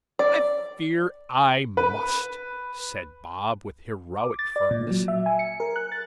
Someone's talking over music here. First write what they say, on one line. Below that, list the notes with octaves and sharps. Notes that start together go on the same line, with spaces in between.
'I fear I must,' said Bob, with heroic firmness.
D5
B4
D6
A6
D5
A#2
F#3
E5
G#5
C#7
A#4
F#6
A6